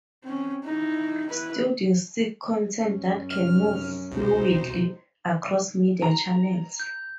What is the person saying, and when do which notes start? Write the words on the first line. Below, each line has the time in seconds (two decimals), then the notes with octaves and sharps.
Studios seek content that can move fluidly across media channels.
0.24 C4 C#4
0.64 D#4 E4
1.27 E4 B4
2.79 F#2 C#4
3.30 F1 F6
4.12 C2 B2 D#4 C5
6.02 A#5
6.80 G6